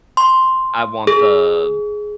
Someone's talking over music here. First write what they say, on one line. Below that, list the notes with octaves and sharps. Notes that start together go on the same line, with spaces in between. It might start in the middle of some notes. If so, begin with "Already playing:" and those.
I want the the
C6
G#4